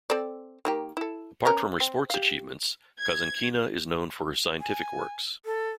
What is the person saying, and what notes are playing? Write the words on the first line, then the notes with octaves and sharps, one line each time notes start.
Apart from her sports achievements, Kazankina is known for her scientific works.
C4 A4 D5
D#3 A#3 G4
E4 A4
B3 C#4 A#4
C4
G4 F5
G#6
G#5
A4